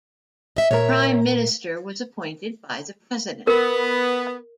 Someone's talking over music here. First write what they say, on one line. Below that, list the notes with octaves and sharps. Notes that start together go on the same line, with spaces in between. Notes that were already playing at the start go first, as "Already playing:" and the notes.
The Prime Minister was appointed by the President.
D#5 E5
A#2 A#4 C#5 E5
B3 A#4